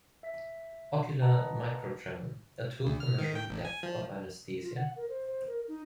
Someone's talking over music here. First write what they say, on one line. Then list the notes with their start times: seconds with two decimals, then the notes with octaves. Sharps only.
Ocular microtremor: a tool for measuring depth of anaesthesia?
0.23 E5 B6
1.22 B4 D#5 F#5 A5 A#5
2.87 D2
3.00 F6
3.18 D#3
3.35 G5
3.50 A1
3.65 G#5
3.83 F3
4.61 F4
4.76 F#5
4.96 A#4
5.09 C5
5.27 C5
5.47 A#4
5.68 D#4